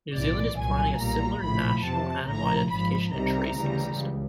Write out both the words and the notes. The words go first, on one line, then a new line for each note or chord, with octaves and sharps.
New Zealand is planning a similar National Animal Identification and Tracing system.
B1 A2 E3 D5
C2 A#2 F#3 G#5
B1 A#2 G3 A#5
A#1 A2 F3 B5
F2 C3 F3 A5
A#1 A2 F3 A#5
G#1 G#2 F3 B5
C2 C3 D#3 G3 A#5
D2 C#3 E3 G3
C#2